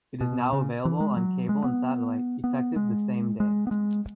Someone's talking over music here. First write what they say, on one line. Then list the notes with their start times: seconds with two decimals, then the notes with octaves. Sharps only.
It is now available on cable and satellite effective the same day.
0.21 B2
0.53 C#3
0.85 E3
1.00 G#3
1.17 F#3
1.49 G#3
1.64 B3
2.44 B3
2.76 G#3
3.40 G#3
3.67 B3
3.71 G#3